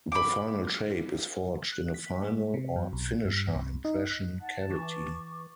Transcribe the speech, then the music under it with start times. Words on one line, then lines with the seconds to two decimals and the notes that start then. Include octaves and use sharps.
The final shape is forged in a "final" or "finisher" impression cavity.
0.12 B5 D6
1.72 F#6
1.94 B6
2.24 G#3
2.54 C3
2.76 F#2
2.93 B1
3.25 G2
3.55 C2
3.85 D#4
4.07 F#6
4.40 F#5 A5
4.70 E3 C#6 D6